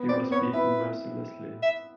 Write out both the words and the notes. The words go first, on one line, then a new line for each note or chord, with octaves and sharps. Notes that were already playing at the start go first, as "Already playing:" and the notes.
He was beaten mercilessly.
Already playing: B3
C4 D5
B3 C#5
E4 B4
E5